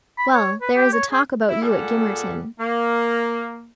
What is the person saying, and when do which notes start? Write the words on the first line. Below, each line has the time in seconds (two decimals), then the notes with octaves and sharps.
'Well! there is a talk about you at Gimmerton.
0.18 B5
0.34 C#5
0.61 B4
0.76 G4
0.93 C#5
1.12 G#4
1.48 E4
1.62 A#2 G3 G#4 A4 F#5
2.59 A#3